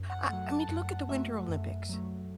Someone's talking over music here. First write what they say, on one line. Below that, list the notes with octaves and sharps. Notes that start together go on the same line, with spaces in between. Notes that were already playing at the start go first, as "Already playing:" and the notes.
I I mean look at the Winter Olympics.
Already playing: F#2
F#5
F#3 A3 F#5
A5
F#2 F#5
F#3 A3 E5
F#2
F#3 A3